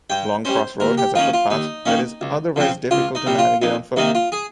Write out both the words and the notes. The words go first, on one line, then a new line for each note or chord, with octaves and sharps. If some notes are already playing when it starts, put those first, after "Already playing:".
Longcross Road has a footpath but is otherwise difficult to navigate on foot.
G2 G5
G3 C#4 C5
D#2 A#4
G4
D#3 A#3 C#4 F4
F4
D#2 D#4
D#3 A#3 C#4
C#2
C#3 F3 C4
C#2 F4
D#4
C3 G3
F4
F2 D#4
C3 D#3 A#3 D#4
F4
G#4